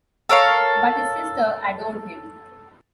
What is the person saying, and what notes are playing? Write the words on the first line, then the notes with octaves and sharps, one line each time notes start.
But his sister adored him.
A4 A#4 C#5 F5